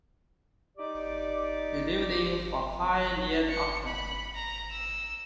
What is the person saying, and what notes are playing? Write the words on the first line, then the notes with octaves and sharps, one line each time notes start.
He lived in Huapai near Auckland.
D#4 G4 D5 D6
C#7
B5
A#5
E6